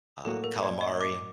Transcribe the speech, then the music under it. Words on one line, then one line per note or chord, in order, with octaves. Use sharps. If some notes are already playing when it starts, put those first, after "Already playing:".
uh, calamari.
A2 F#3 A#3 F#4 A4
A#4
D5
D#5
D6